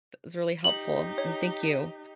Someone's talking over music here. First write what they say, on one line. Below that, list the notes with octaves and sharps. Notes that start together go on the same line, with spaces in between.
that was really helpful, and thank you
D#4 G4 F#7
C#5